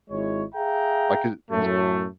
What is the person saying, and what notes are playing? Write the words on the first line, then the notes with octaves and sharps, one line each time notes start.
like, his his
G#1 G#3 E4 C#5
G#4 E5 F5 G5 A#5
F#2 A2 F#3 A3